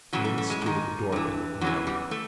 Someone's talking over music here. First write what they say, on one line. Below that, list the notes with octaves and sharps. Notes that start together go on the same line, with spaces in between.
Haines stood at the doorway, looking out.
F#2 C#3 E3 F#3
A3
A3
G#3
G#2 D#3
G2 E3
E2 C#3 E3 F#3
G3
A3